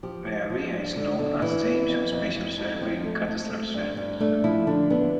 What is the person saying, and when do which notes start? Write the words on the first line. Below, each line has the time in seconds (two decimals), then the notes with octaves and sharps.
The area is known as Jamieson's Special Survey in cadastral surveys.
0.03 F3 G4
0.26 F3
0.50 F3
0.73 G2
0.96 D3
1.19 D3
1.42 E3 E4
1.65 B3
1.89 F2
2.12 F2
2.35 F2
2.58 F2
2.81 F3 C4
3.04 A3
3.28 A3
3.51 A3
3.74 G2
3.97 G2
4.20 A3 D4
4.44 F3 E4
4.67 D3 D4
4.90 D3 B3